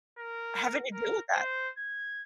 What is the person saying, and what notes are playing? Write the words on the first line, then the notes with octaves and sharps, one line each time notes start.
having to deal with that.
A#4
A#4
C5
G#6